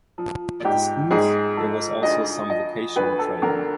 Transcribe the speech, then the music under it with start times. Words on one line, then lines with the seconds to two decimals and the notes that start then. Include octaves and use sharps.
At the schools there was also some vocational training.
0.18 F3
0.64 G#2 G4
1.11 G#2 G#4
1.57 F3 A4
2.03 D2 D#5
2.50 F3 D#5
2.96 D2 B4
3.19 A4
3.42 D3 A#4